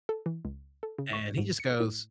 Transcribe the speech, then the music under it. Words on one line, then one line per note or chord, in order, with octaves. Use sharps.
and he just goes,
A4
E3
C#2
A4
C#3
C#6
G#2
C#7
A2